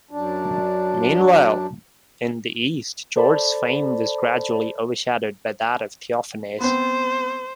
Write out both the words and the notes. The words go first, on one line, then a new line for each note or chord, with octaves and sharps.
Meanwhile, in the East George's fame was gradually overshadowed by that of Theophanes.
F#2 D4
A4 C5 D5 A5 B5
B3 C4 C5